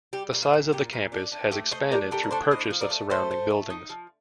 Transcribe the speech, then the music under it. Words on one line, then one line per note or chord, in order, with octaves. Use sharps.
The size of the campus has expanded through purchase of surrounding buildings.
G3 G4
A#2
F4
A#2
A#2 G4
A#2
D4
D4
A3 G4
A3 C5 D#5
D4 G4 A#4
A3 G4 A#4
A#4
D4 A4 C5
A2 C5 D#5
F3
A#4 D5
A3
A3 A4 C5
A3
A3
D#4
F3